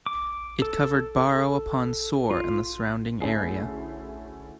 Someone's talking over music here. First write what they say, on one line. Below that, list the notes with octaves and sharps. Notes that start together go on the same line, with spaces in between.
It covered Barrow upon Soar and the surrounding area.
D6
A4
F4
D2 A3 C#4 E4 G#4 C7